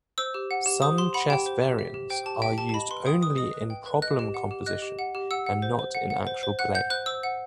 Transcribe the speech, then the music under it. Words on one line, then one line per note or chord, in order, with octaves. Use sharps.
Some chess variants are used only in problem composition and not in actual play.
C5 E6
G4
F#5
G4
C5 D#6
G4 C6
F#5 B5
G4 G5
C5
G4
E5
G4
C5 G5
G4 A5
E5 G5
G4 A5
A5
D#5 B5
B4 C6
G5 D#6
B4 D#6
D#5 D#6
B4
G5
B4
D#5 F#6
G4
F#5
G4
D#5 F#6
G4
F#5
G4
F#5 E6
F#5
C5
C5
F#5
F#5
C5
C5
F#5 F#6
F#5 G6
C5 F#6
C5 E6
F#5